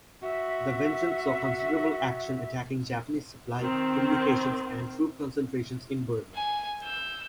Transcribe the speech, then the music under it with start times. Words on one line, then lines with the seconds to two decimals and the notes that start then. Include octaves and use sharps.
The Vengeance saw considerable action attacking Japanese supply, communications and troop concentrations in Burma.
0.23 F#4 E5
3.61 D#3 C4
6.35 G#5
6.83 E6 G6